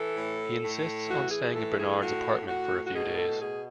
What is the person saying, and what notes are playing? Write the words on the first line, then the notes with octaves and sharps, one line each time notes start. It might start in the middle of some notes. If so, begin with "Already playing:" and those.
He insists on staying in Bernard's apartment for a few days.
Already playing: E3 A4
A2
A2
E3 F#4
G#4
A2 A4
G#4
A2 F#4
A2 F#4
F#4
B2 G#4
A4
B2 G#4